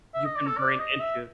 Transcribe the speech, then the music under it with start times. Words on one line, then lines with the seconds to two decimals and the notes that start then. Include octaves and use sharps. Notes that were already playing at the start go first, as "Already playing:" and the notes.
you can bring into
0.14 E5
0.25 D#5
0.35 D5
0.47 A4
0.57 D5
0.79 D#5
1.00 E5